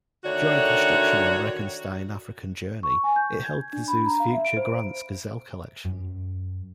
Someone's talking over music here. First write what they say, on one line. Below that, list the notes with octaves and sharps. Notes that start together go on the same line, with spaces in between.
During construction on Regenstein African Journey, it held the zoo's future Grant's gazelle collection.
D3 D#3 A3 D4 F#4 C#5
C#6
G#5
G6
G#6
D4
B5
A#5
F5
E5
D7
C5
F#2